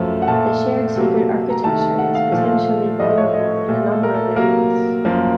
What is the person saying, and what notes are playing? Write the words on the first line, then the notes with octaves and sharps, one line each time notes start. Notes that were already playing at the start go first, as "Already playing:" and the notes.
The shared secret architecture is potentially vulnerable in a number of areas.
Already playing: F#2 F3 A3
F#5
A#2 A3 A5
C3 F#3 A#3
A#5
C3 D#3 A3 A5
A5
F#5
F5
A#2 F3 A3
A2 F3 A3 D#5
C#5
D#5
A#2 A3 A4
A4
A#4
A4
C3 F#3 A#3 A#4
F#2 F3 A#3